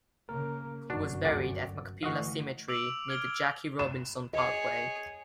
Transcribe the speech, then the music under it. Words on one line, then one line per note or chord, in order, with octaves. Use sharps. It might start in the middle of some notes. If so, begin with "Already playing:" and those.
He was buried at Machpelah Cemetery near the Jackie Robinson Parkway.
C#3 A#3 A#4
G1 F#2 D4 F#4
D2 D5 F#5
D3 E3 A3 F#4 D#5 F5
D6 E6 D7 F7 F#7
F6 G#6 G7
E7
G#4 C#5 D#5